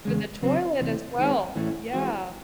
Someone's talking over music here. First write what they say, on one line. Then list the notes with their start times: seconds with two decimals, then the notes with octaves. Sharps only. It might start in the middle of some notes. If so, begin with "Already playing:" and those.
With the toilet as well. Yeah.
0.05 E2 C#3 G#3
0.42 C#3 F#3 C4
0.81 E2 C3 E3
1.18 D#3 G#3 C4
1.55 A2 E3 A3 C#4
1.93 E3 G#3 C4 F#4